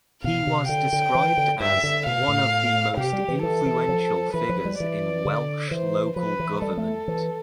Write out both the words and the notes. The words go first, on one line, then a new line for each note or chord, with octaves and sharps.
He was described as "one of the most influential figures in Welsh local government".
B2 F5
C3
D3 G5
D3
E3
D3
G2 E5
D3
B2 F5
A2
C3 G4
G3
E3
E3 A4
E3
F3
E3 B4
F3
G3
E3 D5
D3
E3 C5
F3 B4
E3
G3 A4
A3
E3